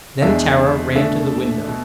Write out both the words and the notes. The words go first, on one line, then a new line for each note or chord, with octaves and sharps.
Then Tara ran to the window.
E2 B2 G#3 D4 E5
B2 A3 D4 E5
B2